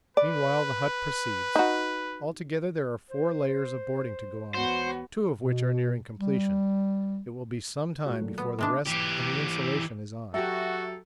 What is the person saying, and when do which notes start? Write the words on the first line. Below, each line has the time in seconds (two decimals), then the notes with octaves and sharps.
Meanwhile the hut proceeds; altogether there are four layers of boarding to go on, two of which are nearing completion; it will be some time before the rest and the insulation is on.
0.17 B4 D5
1.56 D#4 F#4
3.10 C5
4.54 D2 E3 B3 F#4 C5 C#5
5.37 B2
6.19 G3
8.06 A2 G#3 F#4
8.20 A#2 F#3 A3
8.38 B3
8.59 C3 G#3 A#3 D4 D6
8.86 E3 G4
10.34 F#3 F#4 G4 A4 E5